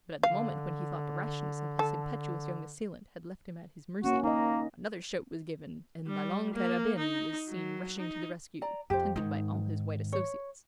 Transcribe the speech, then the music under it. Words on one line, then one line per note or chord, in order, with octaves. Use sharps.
But at the moment when he thought the rashness of his impetuous young assailant had left him at his mercy, another shout was given, and La Longue Carabine was seen rushing to the rescue, attended by all his white associates.
D3 F5
A4
A#3 C#4 F#4
A#3 D#4 D#5
G3
A#3
D#4
F#3
D#4
D5 A#5
F2 G4 C5
G#2 D#3 D#4
C#5